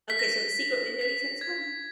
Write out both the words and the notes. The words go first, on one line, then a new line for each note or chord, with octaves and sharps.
Okay, so The Secret Window, you said it's called?
B6
A#6
B6
G#6